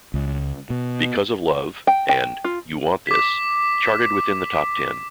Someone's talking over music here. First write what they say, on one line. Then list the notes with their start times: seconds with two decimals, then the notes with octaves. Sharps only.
"Because of Love" and "You Want This" charted within the top ten.
0.14 C#2
0.70 B2
1.87 G5
2.09 G5
2.44 F4
3.07 D6 B6